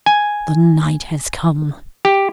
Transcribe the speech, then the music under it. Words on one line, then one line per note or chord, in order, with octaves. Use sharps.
The night has come!
G#5
G4